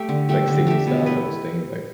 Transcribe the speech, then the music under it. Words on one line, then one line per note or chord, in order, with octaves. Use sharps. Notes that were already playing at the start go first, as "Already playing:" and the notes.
like, singing style type of s thing, like
Already playing: A3 G4 E5
D3
A3 G4 E5
D3
A3 G4 E5
B2
A3 E4 B4